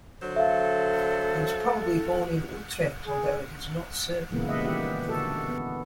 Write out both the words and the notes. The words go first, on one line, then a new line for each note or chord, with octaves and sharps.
He was probably born in Utrecht, although it is not certain.
D3 F#3 C5
A4 E5 F5
G#4
A#2 C#3 E3 G#3 A#3 B3
C#3 G3 D#5 E5 F#5
D#3 E3 G4 E5 F#5
D3 F#4 A4
B3